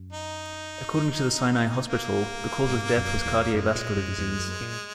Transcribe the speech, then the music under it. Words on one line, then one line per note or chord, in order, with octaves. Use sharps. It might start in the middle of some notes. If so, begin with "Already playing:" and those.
According to the Sinai Hospital, the cause of death was cardiovascular disease.
Already playing: F#2
D#4
A#3
G#2
F#2
E2
F#2 G#3
A#2
F#2
E2
F#2
A#2